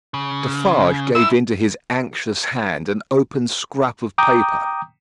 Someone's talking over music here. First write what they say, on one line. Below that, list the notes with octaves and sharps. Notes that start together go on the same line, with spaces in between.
Defarge gave into his anxious hand, an open scrap of paper.
C#3
G#2 E4 E6
G5 A#5 D6 D#6 G6